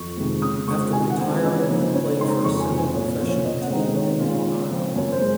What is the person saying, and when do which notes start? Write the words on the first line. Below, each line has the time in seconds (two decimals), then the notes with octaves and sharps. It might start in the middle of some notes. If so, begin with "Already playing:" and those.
After retiring he played for a semi professional team in Long Island.
Already playing: F2 C#6
0.17 C3 D#3 G#3
0.42 C#3 D#6
0.68 G#3 C4 F4 C#6
0.93 D#3 G#5
1.10 F#5
1.18 G#3 C4 F4
1.44 C#3 D#5
1.60 C#5
1.68 F3 A#3 D#4
1.77 C5
1.93 C#3 C#5
2.10 C#5
2.19 G#3 C4 D#4 C6
2.27 A#5
2.44 F2 C#6
2.60 G#5
2.69 C3 F#3
2.78 G#5
2.94 A#2 C#5
3.20 F3 A#3 C#4 F4
3.28 C#5
3.45 C3 D#5
3.62 F#5
3.70 D#3 G#3 C4 D#4
3.78 D#5
3.95 D#3 C#5
4.20 G#3 C#4 F4
4.45 C#3
4.71 F3 C4
4.96 F#2 C#5
5.12 C5
5.21 G#3